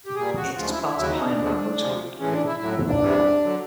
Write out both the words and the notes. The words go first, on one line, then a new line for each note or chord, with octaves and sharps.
It is part of Hyundai Motor Group.
G4
A#2 G3 G#4
F#4
D2 C#3 F3 G#3 F4
E4
E4
D#2 C#3 F#3 E4
D#4
C#4
D4
D#2 D3 F3 G#3
D2 C3 F3 G#3
A2 E3 G#3 C#4
D4
E4
A2 F#3 E4
D4
E2 C3 E3 G3
D3 F#3